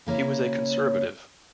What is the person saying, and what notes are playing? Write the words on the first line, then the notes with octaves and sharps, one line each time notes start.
He was a Conservative.
C#3 A#3 C#4 E4